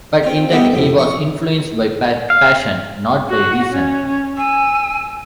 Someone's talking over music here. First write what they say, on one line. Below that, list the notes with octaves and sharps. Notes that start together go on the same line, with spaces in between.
But in that he was influenced by passion, not by reason.
C4 F4
D3 D#3 G3 B3 D#4 E4
F2 A2 C3
C#6 D#6
F5
F#4 F#5
C#4
C#4
G#5 E6